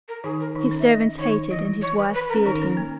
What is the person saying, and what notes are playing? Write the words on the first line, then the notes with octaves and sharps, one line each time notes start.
His servants hated, and his wife feared him.
A#4
D#3 D#4 G#4
A#4
D#3 D#4
C#4
E5
D#5
D#3 D#4 C#5
E3 E4 D#5
C#5
B4
B4
A#4
C#4
D#3 D#4 A#4
C#4
A#3